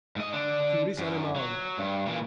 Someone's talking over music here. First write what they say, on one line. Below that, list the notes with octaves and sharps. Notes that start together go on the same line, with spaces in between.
Tu ris, animal?
G#2 D#5
D3 D4
F#2
F#3
G2
A#2 E3